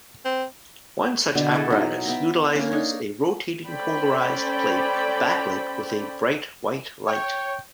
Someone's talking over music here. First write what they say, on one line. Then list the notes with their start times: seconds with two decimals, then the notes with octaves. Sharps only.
One such apparatus utilises a rotating polarised plate backlit with a bright white light.
0.25 C4
1.35 B2 D3 D4
1.51 E4 F#4 G#4 A4
1.70 F#3 D#4 E4
2.06 B3 E5 G5 A#5
2.55 A#3 C#4
2.72 D4 D#4 C#5
3.67 C#4 A4 C5 D5 G5 B5
7.06 C#5 G5 C#6